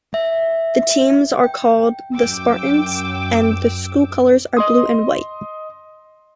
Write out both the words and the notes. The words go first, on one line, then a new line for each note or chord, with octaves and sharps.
The teams are called the Spartans, and the school colors are blue and white.
E5
G5
F#2 G5 D6 E6
D#5 C6 D#6